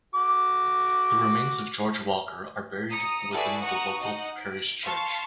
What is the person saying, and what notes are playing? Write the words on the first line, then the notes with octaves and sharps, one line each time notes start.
The remains of George Walker are buried within the local parish church.
F#4 D6
A#5 D#6 C#7
E4 F#4 G#4 A4 B4 D5
D#4 F#4 F#5 A#5 C#6 D#6
D#4 D#5 F#5
D7
F5 A5 C6 C#6 F6